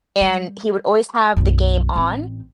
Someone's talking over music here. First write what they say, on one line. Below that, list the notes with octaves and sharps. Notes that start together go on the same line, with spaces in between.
and he would always have the game on,
G3
B1 F#2
A1 C4